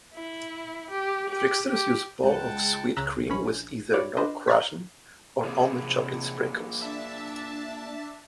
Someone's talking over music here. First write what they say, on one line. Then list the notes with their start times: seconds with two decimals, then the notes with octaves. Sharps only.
Tricksters use balls of Sweet Cream with either no Crush'n or only chocolate sprinkles.
0.14 E4
0.90 G4
1.29 G4
1.69 G4
2.23 C#2 F#5 G5 A5
2.96 C#2 C#3 A#5 E6 F#6 B6
3.30 A#1 C#4 C#5 B5
3.93 E4 F#4 C#5 D5
4.17 D4 F4 B4 C5 D#5
4.47 A#5 F6 F#6 G#6 A6 B6
5.44 C3 A#3 F4 G#4
6.79 D4 E5 A5